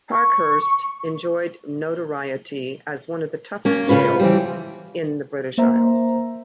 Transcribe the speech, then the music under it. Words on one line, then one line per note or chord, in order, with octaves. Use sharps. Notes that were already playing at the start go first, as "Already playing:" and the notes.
Parkhurst enjoyed notoriety as one of the toughest jails in the British Isles.
C#6
A#3 C#4
C#3 C#4 F4 B4
E3 F3 G3
A#3 C5 E5 A#5